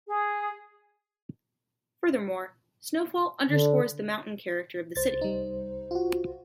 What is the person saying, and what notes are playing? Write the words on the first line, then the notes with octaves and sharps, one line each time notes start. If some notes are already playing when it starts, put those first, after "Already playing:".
Furthermore, snowfall underscores the mountain character of the city.
G#4
D3
C2 C5 A6
G3 D#4
F4 F#4